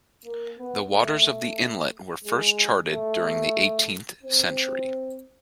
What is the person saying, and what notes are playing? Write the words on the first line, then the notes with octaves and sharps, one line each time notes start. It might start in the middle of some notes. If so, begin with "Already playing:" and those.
The waters of the inlet were first charted during the eighteenth century.
A#3
B3
A3
G#3
A3
C4